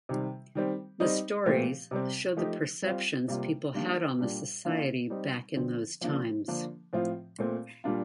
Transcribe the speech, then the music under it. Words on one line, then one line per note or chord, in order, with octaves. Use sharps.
The stories showed the perceptions people had on the society back in those times.
C3 D#3 G3
D#3 G3 C4
G3 C4 D#4
A#2 F3 A3 C4 G4
C3 G3 C4
F3 A3 D#4 G4
G3 C4 F4
C3 G3 A#3 F4
D#3 G3 A#3 D4
A#2 G3 D4 G4
D#3 A#3 D4 F4
G3 C4 D#4
D3 F3 C4
F3 A#3 D4 F4
D3 F3 A#3 D4
A2 F3 C4 F4
A#2 A3 C4
A#2 G3 D4 F4